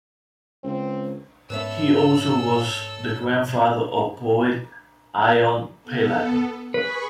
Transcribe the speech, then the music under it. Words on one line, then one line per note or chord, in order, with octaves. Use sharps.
He also was the grandfather of poet Ion Pillat.
C#2 C4
G#2 B3 C#4 A4 B4 C#5 E5 E6
B3 A4
G#4 B4 B5 C#6